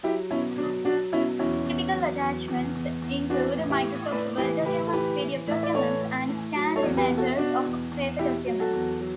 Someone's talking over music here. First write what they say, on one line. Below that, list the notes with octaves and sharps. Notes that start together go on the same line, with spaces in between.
Typical attachments include Microsoft Word documents, pdf documents and scanned images of paper documents.
F#3 E4 G4
B2 C#4 E4
F#3 D4
F#3 D4 F#4
B2 C#4 E4
E2 C#4 E4
E2
F#3
E2
E2
E2
E2
E3 D4 F#4
A2
E4 G4
A2
A2 B4 D5
E3 G4 B4
A2 G4 B4
A4
E3 G4 B4
E3
A2 E5
D5
E3 A4 C#5
A2
A2
F#3
A4 C#5
E2
G4 B4
B2
F#4 A4
B2 D4 F#4
E2
E2
B2 E4 G4
F#3
F#4 A4
E2
F#3